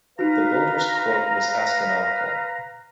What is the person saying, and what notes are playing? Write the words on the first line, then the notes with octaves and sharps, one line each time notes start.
The builder's quote was astronomical.
D#4 F#4 B4 F5 A#5